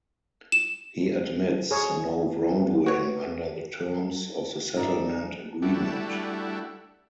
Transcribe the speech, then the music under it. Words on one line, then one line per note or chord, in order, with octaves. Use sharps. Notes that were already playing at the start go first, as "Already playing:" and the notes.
He admits no wrongdoing under the terms of the settlement agreement.
E7
G#4 C#5
F#4 B4 C#5
D#4 D5 E5
G3 A3 D4 E4 F#4